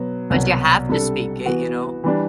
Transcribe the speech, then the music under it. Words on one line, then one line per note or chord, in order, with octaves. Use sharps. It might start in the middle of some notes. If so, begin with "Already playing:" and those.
But you have to speak it, you know?
Already playing: B2 F#3 B3
C2 B2 F#3
C3 G3 D4 A4
E3 B3 F#4
E3 G3 D4